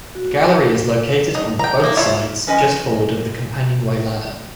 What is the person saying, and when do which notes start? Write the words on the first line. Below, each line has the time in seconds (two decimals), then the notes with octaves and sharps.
The galley is located on the both sides just forward of the companionway ladder.
0.15 F#4
1.35 D#4
1.59 G5 A#5
1.80 F3 A#3
1.97 E4 F4 C#5
2.47 F3 C#4 B4 D#5 F#5 G#5